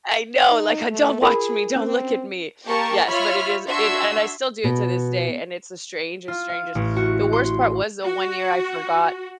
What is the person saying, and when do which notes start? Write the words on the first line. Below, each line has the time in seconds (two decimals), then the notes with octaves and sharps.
I know, like, uh, "Don't watch me, don't look at me." Yes, but it is it and I still do it to this day, and it's the strangest, strangest The worst part was the one year I forgot
0.49 D#4
0.90 A3
1.22 F4 G#4 A#4 B5
1.76 C4 C#4
2.67 A#3 G4 A#4 A5 C#6
3.09 F4 C#5 E5 B5 F6
3.68 D4 F#4 E5 C6 E6 G#6
4.64 B2
6.28 F4
6.49 F5
6.75 A1
6.96 F#4
7.33 C6
8.04 F#4